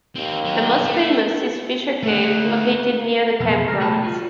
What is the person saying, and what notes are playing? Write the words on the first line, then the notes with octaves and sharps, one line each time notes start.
The most famous is Fisher Cave, located near the campgrounds.
D#2 C4 D#4
F#3 B3
A3
A3 F#5
B1 F2 B3
C#2 A#4
B1 A3 G#4 G5 A5 B5
G3 F4 F#4